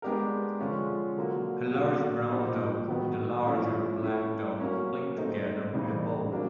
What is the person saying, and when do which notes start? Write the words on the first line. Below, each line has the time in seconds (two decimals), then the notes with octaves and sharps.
A large brown dog and a larger black dog playing together with a ball.
0.02 G#3 B3 D4 G4 A#4
0.59 D3 F3 G#3 C#4 F4
1.17 D3 F#3 A#3
1.74 F#3 A#3 D4 F#4
2.31 F3 A#3 D#4 G4 C5
2.88 D#3 F#3 B3
3.45 F3 A3 C#4 E4
4.02 A3 C#4 E4 A4 C#5
4.60 F#3 A#3 C#4
5.16 A3 C4 D#4
5.73 C#3 E3 G3 C4 D#4
6.30 F#3 A#3 D4